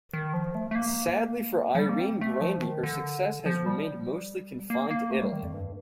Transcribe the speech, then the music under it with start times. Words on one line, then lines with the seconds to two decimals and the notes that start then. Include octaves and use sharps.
Sadly for Irene Grandi her success has remained mostly confined to Italy.
0.14 D#3
0.34 F3
0.55 A3
0.71 A3
0.75 A#3
1.75 F3
1.79 G3
1.89 A#3
2.00 C4
2.21 A3
2.41 F3
2.62 D#3
2.83 D3
3.46 F3
3.66 G3
4.70 A#3
4.91 A#3
5.11 A3
5.22 G3
5.33 D#3
5.43 F2
5.53 G2